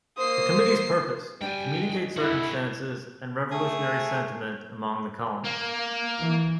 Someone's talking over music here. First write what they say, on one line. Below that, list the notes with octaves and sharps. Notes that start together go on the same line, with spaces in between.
The committee's purpose: communicate circumstances and revolutionary sentiment among the colonies.
A#3 C5 D#6 C7
G3 D4 G4 G5 G#5
G#3
E4 F#4 G#4
A3 G#4
A#3
E3